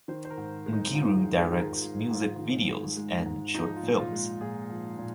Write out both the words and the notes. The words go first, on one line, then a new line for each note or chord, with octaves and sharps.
Nkiru directs music videos and short films.
D#3 C5
C5
A#4
G#2
G#3
D#4
G#2 F4
G#4
D#3
F4
G#4
G#2
A#4
G#3 F4
G#2 F4
D#4
D#3
G#2 F4
G#3
G#2
F3 D#4
F4
A#2
F4
G#3
A#2 G#4
F3
A#2